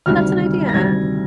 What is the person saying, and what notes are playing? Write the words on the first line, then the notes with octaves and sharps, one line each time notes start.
Oh, that's an idea.
D2 C3 D#3 G3 F6
A#6
D2 C3 D#3 G3 G#6